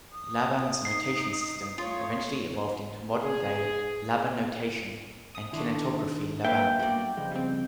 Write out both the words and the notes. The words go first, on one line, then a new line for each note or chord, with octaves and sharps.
Laban's notation system eventually evolved into modern-day Labanotation and Kinetography Laban.
D#6
D#4 C7
A3 F4 C#5
G#4
D#6
D#3 A3 D4 E4 C6
F#3 A#3 B4 E5 F5 G5
G3 A#3 B3 F#4 D5
C#3 F3 G#3
G3 C4